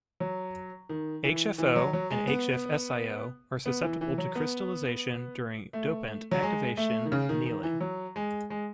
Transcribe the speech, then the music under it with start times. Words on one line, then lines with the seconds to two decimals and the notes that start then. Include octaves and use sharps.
HfO and HfSiO are susceptible to crystallization during dopant activation annealing.
0.20 F#3
0.89 D#3
1.24 E3
1.58 E3
1.76 F#3
1.93 F#3
2.10 G#3
2.27 B3
3.66 B3
3.83 E3
4.01 E3
4.18 F#3
4.35 B3
5.73 A3
6.31 F#3
6.43 G#3
6.77 A3
7.05 D#3
7.12 C#3
7.29 D#3
7.46 D#3
7.63 E3
7.81 F#3
8.16 G#3
8.50 G#3